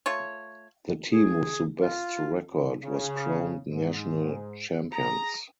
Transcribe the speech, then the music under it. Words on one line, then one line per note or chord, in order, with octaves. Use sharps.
The team with the best record was crowned national champions.
A3 F4 C#5
G#4
F4
C#3
G#2
G#4 D#5 A#5